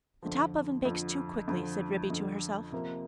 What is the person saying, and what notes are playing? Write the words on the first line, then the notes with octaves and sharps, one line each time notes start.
"The top oven bakes too quickly," said Ribby to herself.
F2 D3 F3
F2 D3 F3
F2 D3 F3
F2 D3 F3
C3 F3 A#3